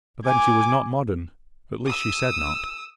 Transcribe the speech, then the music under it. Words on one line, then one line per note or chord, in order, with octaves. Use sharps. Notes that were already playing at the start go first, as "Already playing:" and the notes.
But then she was not modern, at least she said not.
G#5 D6
D#6 E6